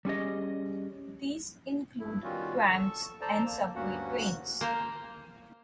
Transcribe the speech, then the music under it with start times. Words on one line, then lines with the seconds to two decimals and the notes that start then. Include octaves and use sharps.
These include trams and subway trains.
0.05 G3 C#4 G#4 D#5
2.00 G2 E4
2.24 D#3 G3 B3 C#4 F4 F#4
2.72 A4 A5 C#6
3.21 A4 C5 D5 A5 A#5
3.46 A#3
3.76 D2 G2 A#3 C#4 F#4 F#5
4.61 A#3 C5 F5